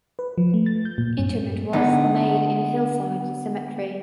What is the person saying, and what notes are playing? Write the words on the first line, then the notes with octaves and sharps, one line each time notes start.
Interment was made in Hillside Cemetery.
B4
F3
A3
A6
G6
A#2
G2
D3 B3 D4 D#4